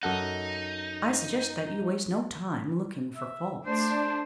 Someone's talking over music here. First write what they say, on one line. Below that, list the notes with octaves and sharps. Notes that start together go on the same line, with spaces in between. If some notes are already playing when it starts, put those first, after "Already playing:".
"I suggest that you waste no time looking for faults."
F#2 D#4 A4 F#5
E5
A3 D4 C5